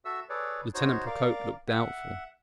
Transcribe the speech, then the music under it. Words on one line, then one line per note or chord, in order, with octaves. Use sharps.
Lieutenant Procope looked doubtful.
F#4 A4 E5 E6
G#4 A4 B4 C#5 D5
D#4 F#4 C5 C#5
A#4 D5 F5
E5 F#5